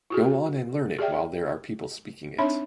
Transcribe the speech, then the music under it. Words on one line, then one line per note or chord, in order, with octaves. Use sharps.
Go on and learn it while there are people speaking it.
E4 F#4 G#4
G4 G#4 D5 E5 G5
C4 D4 D#4 C#5 E5 B5